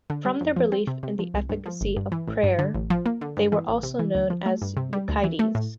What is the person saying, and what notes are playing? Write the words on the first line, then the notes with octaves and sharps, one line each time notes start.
From their belief in the efficacy of prayer, they were also known as Euchites.
D3
G3
F2
F3
C4
C3
C3
F3
C2
G2
F3
G1
G2
E3
A1
G2
D3
A1
F3
A#3
D3
G2
E3
A1
C3
E3
D2
F3
A3
G2
C3
G3
D2
E3
A3
A2